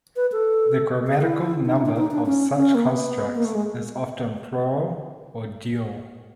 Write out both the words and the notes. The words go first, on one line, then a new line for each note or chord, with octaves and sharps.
The grammatical number of such constructs is often plural or dual.
B4
A4
G#4
E4
D#4
D4
D4
D#4
D4
C#4
C#4
A#3
B3
A#3
A3
G#3